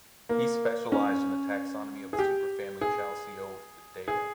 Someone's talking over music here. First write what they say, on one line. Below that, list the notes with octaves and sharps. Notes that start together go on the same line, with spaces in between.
He specialized in the taxonomy of the superfamily Chalcidoidea.
A#3
C#4
G#4
G4
G#4
G#4